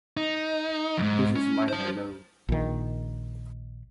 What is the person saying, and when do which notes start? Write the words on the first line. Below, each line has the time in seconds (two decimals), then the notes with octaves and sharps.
This is my hello.
0.17 D#4
0.98 F2 G#2
1.36 C#4
1.68 C5 A5
2.49 A#1 D#3